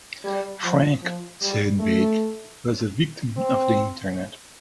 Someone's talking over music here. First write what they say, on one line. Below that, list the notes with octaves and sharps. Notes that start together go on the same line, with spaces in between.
"Frank", said Bate, was a victim of the Internet.
G3
F3
F3
G3
A3
C4